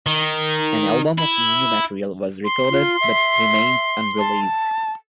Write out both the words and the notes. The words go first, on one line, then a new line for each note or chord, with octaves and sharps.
An album of new material was recorded, but remains unreleased.
D#3
E4
C6
F4
E5
A5